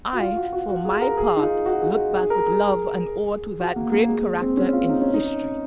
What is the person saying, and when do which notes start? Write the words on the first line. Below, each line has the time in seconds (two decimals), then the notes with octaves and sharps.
I, for my part, look back with love and awe to that Great Character in history.
0.13 F#4
0.20 F4
0.36 F#4
0.53 F#4
0.69 F#4
0.85 G#4
1.01 A#4
1.17 G#4
1.37 D#4
1.41 F4
1.66 F#4
1.82 G#4
2.14 G#4
2.30 A#4
2.46 G#4
3.60 F#4
3.76 A#3
3.92 A#3
4.09 G#3
4.41 C4
4.57 C#4
4.73 F4
4.89 D#4
5.01 C#4
5.14 D#4